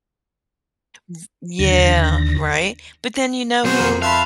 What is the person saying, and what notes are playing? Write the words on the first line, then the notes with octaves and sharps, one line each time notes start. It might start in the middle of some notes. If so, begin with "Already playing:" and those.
V Yeah, right, but then you know who
D#2 D3 A#6
B2 F#3 B3 C4 F#4 G#4 C5
F2 A#4
E5 F5 A5 B5 C6 F#6